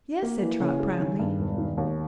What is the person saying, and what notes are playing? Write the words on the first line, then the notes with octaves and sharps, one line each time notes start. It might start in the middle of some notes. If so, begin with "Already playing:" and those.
"Yes," said Trot, proudly.
A#3
E3
C#3
G#3
D#3
G2
E1
D#3
D#2